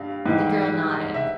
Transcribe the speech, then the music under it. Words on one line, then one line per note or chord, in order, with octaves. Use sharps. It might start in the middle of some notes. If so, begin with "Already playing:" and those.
The girl nodded.
Already playing: G2 G3 F5
G#2 E3 G3
E5